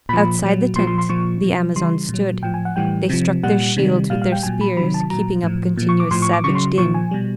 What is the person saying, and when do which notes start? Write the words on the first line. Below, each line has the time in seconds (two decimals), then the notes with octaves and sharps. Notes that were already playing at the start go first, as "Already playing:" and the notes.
Outside the tent the Amazons stood; they struck their shields with their spears, keeping up a continuous savage din.
0.09 A#2 F3 B5
0.42 A#2 F#3
0.76 A#2 F3 C6
0.87 C6
0.98 C6
1.09 A#2 F3 C#6
1.43 B2 F#3
1.76 C#3 E3 G3 C6
2.09 A#2 F#3
2.43 A2 F3 G5
2.54 G#5
2.65 F#5
2.76 A2 E3 G3 G5
3.10 C3 F3
3.43 A#2 G3 F#5
3.77 C3 D#3 G3
4.10 A#2 G3 F5
4.22 F5
4.32 G5
4.43 A#2 F#3 G#5
4.61 B5
4.77 C3 D#3 F#3 B5
4.94 A5
5.10 A#2 F#3 A#5
5.43 A2 F3
5.77 A#2 F3
5.89 C#6
6.00 D6
6.11 A2 F3 C6
6.22 C#6
6.33 D6
6.44 C#3 F#3 C#6
6.55 C6
6.77 A#2 F3 C#6
6.94 G#5
7.11 B2 G3